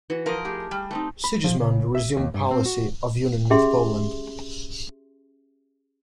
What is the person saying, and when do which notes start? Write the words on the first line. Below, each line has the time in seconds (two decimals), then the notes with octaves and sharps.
Sigismund resumed policy of union with Poland.
0.10 E3 F#4
0.26 F3 E4 A#4 D#5
0.45 A3 G4 G#4
0.71 G3
0.91 A3 C4 D#4
1.24 B5
1.44 F3
1.60 C#3
1.95 E5
2.17 D#2
2.34 G2
2.51 C4
2.66 F#4
3.50 C#4 G4 G#4 E5 C6